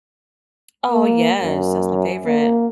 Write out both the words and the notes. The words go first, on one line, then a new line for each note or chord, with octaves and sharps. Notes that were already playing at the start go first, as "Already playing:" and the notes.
Oh, yes. That's my favorite.
A#3
F#2
A#3